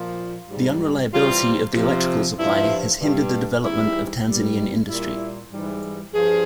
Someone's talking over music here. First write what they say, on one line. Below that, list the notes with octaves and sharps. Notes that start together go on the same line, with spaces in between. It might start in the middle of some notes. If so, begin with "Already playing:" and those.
The unreliability of the electrical supply has hindered the development of Tanzanian industry.
Already playing: A#2 F3
G#2 G3
C3 E3 G3 F4
C3 F3
G2 F3 E4
G2 G3
G#2 E3 G3 E4
G2 G3
A#2 G3 E4
G#2 E3 G3
G2 F3 G#4